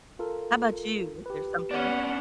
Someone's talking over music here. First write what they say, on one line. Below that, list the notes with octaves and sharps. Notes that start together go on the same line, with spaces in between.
How 'bout you? Is there something
F4 A4 A#4
G4 B4
B3 C#4 D4 F#5